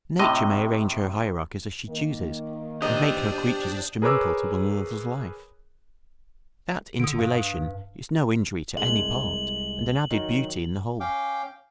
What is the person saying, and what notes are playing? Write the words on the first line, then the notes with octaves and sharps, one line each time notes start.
Nature may arrange her hierarchies as she chooses and make her creatures instrumental to one another's life. That interrelation is no injury to any part and an added beauty in the whole.
A2 C3 D#5
D#3 A#3
D4 G4 C5 D5 D#5 A#5
G#4 A#4 B4 C#5 D6 E6
D3 D#6 D7
G2 F5
C2 G#3 F#7 G7
D#3 F#3 D#4
C#4 F5 G5 D6